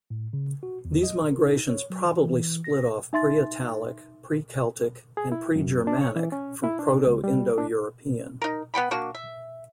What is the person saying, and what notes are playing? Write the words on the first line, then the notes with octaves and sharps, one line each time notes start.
These migrations probably split off Pre-Italic, Pre-Celtic and Pre-Germanic from Proto-Indo-European.
A2
C#3
F#4
E2
D#5
A#4
D#4
C#5
F#3
E3
E3
A#6
D#4 E5 C6 A6
G#4
E4
F#2
D4
C#5
E3
C#4
E4
D4
C#2
G3
D4
D#4 A#4
B3 F#5 G5 B5
A#3 D4 F#4
E5